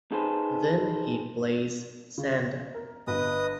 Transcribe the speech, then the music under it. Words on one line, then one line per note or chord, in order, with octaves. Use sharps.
Then he plays Santa.
D#4 G#4 A4 B4 C5
C#3
A#4
G1 B4 D#5 D#6